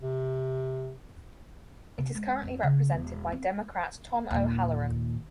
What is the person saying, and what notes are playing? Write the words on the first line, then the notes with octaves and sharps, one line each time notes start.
It is currently represented by Democrat Tom O'Halleran.
C3
C3
G#3
F2
C#3
E1
C4
D#2 A#2